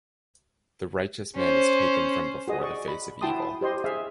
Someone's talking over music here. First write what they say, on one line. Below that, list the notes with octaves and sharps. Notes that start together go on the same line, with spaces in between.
The righteous man is taken from before the face of evil.
C#4 C5
F#4 G#4 D#5
D5 C#6
B5
E4 F#4 G5 A5 C6 D#6
G4 C5 D#5 C6
G#4 E5 F5